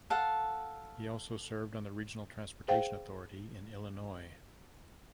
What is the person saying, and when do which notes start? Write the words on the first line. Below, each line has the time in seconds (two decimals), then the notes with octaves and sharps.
He also served on the Regional Transportation Authority in Illinois.
0.10 A4 F5 F#5
2.68 G#4 C5 F5 G5